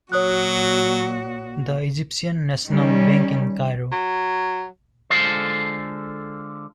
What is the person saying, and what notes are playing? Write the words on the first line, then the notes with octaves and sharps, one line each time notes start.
The Egyptian National Bank in Cairo.
A#2 F#3 F#4 C#5 D#6 F#6
D#3 G3 C#4
F#3
D3 G#3 F4 A4 C5